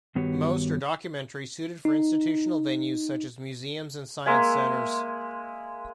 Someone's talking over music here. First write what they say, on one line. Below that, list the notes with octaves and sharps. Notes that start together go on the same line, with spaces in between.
Most are documentaries suited for institutional venues such as museums and science centers.
G2 D#3 B3 F#4 G4 C#5
D#4
G#3 A#3 E5 G#5